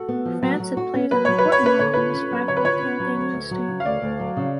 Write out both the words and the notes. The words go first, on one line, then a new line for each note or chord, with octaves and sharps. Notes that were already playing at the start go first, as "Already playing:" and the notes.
France had played an important role in the survival of the Albanian State.
Already playing: F#4 A4
B3
F3
F#3
F#3
F#4
C#4
F#3 B4
F#3 C#5
B4
F#4
C#5
C#4 B4
D3 C#5
F4 B4
C#4
F#3
D3 C#5
B4
F4 C#5
C#4
F#3
D2
D2
F#3
C#3
F5
D2 D5
D2
F#3
C#3